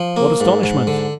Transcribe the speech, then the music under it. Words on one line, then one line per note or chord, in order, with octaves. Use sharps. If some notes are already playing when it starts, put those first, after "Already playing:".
What astonishment!
Already playing: F3
A#3
G#2
G#2
D3